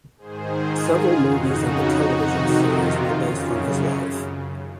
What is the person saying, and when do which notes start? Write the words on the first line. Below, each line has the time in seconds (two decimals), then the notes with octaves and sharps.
Several movies and a television series were based on his life.
0.18 G#2 D#3 G#4 C5
0.67 F4 G#4
1.16 F2 C#3 D#4 F#4
2.15 F2 C3 D#3
2.64 F4
3.13 F#2 C#3